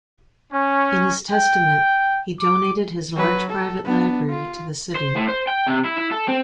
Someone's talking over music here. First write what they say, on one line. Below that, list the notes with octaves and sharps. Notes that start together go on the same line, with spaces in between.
In his testament, he donated his large private library to the city.
C#4
G5
D6
F#3 B4
A4
B3 D4
F4
C5
A2
C5
G5
C3
E4
E4
A4
C4